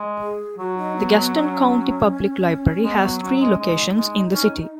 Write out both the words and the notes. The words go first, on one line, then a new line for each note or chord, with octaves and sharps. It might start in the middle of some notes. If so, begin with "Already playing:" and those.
The Gaston County Public Library has three locations in the city.
Already playing: G#3
G#4
F#3 F#4
D#4
B3
B3
C#4
G#3 B3 C#4
F#3
F#3 C#4
G#3
G#3 D#4
G#3
C#4